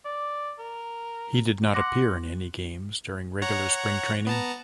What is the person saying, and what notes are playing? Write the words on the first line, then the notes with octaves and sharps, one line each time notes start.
He did not appear in any games during regular Spring training.
D5
A#4
F#5 C6 D6 A#6
C#5 F#5 A#5
B3 A5 A#5